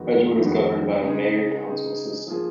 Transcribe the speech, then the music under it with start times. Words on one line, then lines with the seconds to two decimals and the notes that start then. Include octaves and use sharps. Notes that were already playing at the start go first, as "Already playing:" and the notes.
Edgewood is governed by a mayor-council system.
Already playing: F2 D#3 G#3 B3 F#4
0.38 F2 D#3 G#3 B3 F#4
1.02 C#3 G#3 D#4 G#4
1.65 C#3 G#3 D#4 G#4
2.27 F3 A#3 F4 G#4